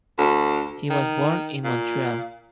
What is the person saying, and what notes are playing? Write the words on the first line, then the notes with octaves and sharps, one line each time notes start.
He was born in Montreal.
D2
D#3
A#2